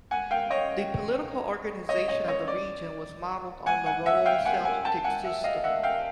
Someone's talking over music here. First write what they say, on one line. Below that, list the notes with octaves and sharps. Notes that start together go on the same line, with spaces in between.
The political organization of the region was modeled on the royal Celtic system.
F#5 G#5
F5 G5
C#5 D#5
C#5 D#5
C#5 D#5
C#5 D#5
D5
F#5 G#5
F#5 G#5
E5 F#5
F5 G5
F#5 G#5
F#5 G#5
G5 A5
F#5 G#5
E5 F#5
D#5 F5
E5 F#5
F5 G5